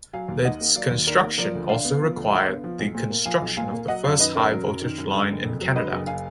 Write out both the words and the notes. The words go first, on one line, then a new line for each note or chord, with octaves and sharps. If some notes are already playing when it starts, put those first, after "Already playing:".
Its construction also required the construction of the first high voltage line in Canada.
F#3 F5 G#5
D#2
D#3 D#5 F#5
A#3
F#3 D5 F5
D#2
D#3 A#4 D5
A#3
F3 A#4 D5
D2
D3 D5 F5
B3
F3
D2
D3
B3
F3
B1
A#2
A#3
F3 F5 G#5
B1
A#2 F5 G#5
A#3
F#3 D#5 F#5
F#2 D5 F5
D#3 B4 D#5
F#2 A#4 D5
F#3
F#2
D#3
F#2
D3
F#1
F2
F#3
D3 B4 D#5
F#1
F5 G#5